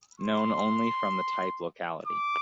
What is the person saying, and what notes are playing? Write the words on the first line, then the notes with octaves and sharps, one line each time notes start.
Known only from the type locality.
C6
D6